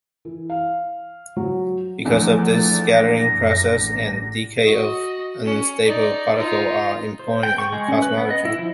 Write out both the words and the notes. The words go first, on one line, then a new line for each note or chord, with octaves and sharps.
Because of this, scattering processes and decay of unstable particles are important in cosmology.
E3
F5
F#3
E2 D3 F3 A3 G#5
A6
A#6
F#2 A#2
A1
F#4 D#5
C#4
D#4 D5
D#4 F4
C5
G5
C#6
G#3
C#4
B4
B3
D#5
E4
F3